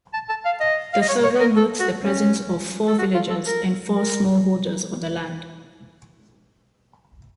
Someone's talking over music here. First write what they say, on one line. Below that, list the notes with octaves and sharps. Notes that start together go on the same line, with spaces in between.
The survey notes the presence of four villagers and four smallholders on the land.
A5
A5
F5
D#5
F5
D#5
C#5
C#5
A#4
A4
F#4
C#4
A4
F#4
F4
A4
A#4
A#4